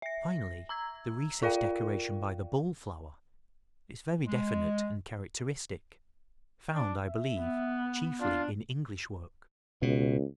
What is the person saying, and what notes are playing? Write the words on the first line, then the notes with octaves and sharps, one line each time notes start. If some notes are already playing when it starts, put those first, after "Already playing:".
Finally the recess decoration by the ball flower is very definite and characteristic, found, I believe, chiefly in English work.
E5 A#6
A#5 E6 G#6
F4 A#4 D5 F5 G5
G#3
D4
E5
B3
D4 F4
C#2 B2